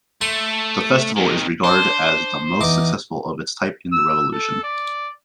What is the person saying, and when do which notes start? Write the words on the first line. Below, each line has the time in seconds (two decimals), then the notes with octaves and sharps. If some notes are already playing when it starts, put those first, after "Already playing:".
The festival is regarded as the most successful of its type in the Revolution.
0.21 A3 C6
1.16 F2 D#3
1.64 D4 C5
2.61 E2 D#4 D6
3.93 E6
4.33 A4
4.64 D5